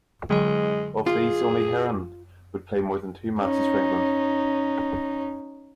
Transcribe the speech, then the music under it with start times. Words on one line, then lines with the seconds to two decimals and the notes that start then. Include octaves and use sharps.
Of these only Heron would play more than two matches for England.
0.30 D3 F#3 G#3 D#5
1.06 F4 G#4
3.40 C#4 D#4